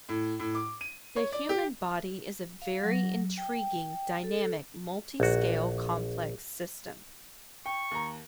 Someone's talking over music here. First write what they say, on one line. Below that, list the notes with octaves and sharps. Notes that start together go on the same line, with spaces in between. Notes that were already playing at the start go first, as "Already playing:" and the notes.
The human body is a very intriguing dynamic multi-scale complex system.
A2
A2
D6
D#7
C#5
D5
G4
F5
F#3
G5
A4
A#1 F#4
G5 C#6
D#2 A#5